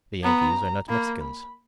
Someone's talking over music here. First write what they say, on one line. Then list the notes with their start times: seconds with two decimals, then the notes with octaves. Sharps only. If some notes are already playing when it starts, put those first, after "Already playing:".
The Yankees are not Mexicans.
0.23 B3 A#5
0.89 A#3 B5
1.21 B5